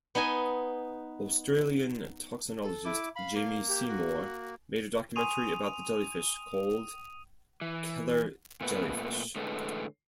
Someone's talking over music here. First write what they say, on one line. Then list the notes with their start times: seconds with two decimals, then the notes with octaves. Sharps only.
Australian toxinologist Jamie Seymour made a documentary about the jellyfish called 'Killer Jellyfish'.
0.15 B3 D#4 D#5 G#5
2.63 A4
2.85 E4 D6
3.16 F5 B5
3.35 A#3
3.68 G4
3.88 F#4
5.16 G#5 C6 C#6 D#6 D#7 F7
7.61 E3
8.61 A#2 A3 B3 B4
9.36 A2 D3 G#3 A4 B4